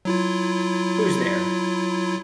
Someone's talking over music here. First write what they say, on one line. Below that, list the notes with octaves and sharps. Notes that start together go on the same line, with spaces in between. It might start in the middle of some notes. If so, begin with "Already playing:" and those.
Who’s there?
F#3 E4 F4